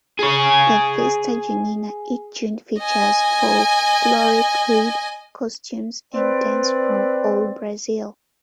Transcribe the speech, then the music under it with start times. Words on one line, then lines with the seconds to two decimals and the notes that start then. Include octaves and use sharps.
The "Festa Junina" each June features folkloric food, costumes, and dance from old Brazil.
0.19 G#4 C#5
2.79 D#5 G#5
6.13 C4 B4 D5